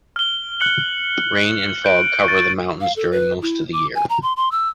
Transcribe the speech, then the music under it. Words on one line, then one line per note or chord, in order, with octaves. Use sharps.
Rain and fog cover the mountains during most of the year.
F6 G7
F#6 C#7 F#7
G6 D7
C#6 A6
F5
A4
B4
E4
D6
G#5
A#5
C6
C6
E6